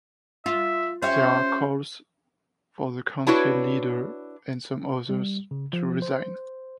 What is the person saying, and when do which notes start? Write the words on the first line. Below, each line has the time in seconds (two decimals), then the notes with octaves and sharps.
There are calls for the council leader and some others to resign.
0.46 F4 E5
1.02 C#4 G4 C5 E5
3.27 D4 E4 F#4 B4 C#5
5.09 G3
5.51 C#3
5.73 F3
6.02 C5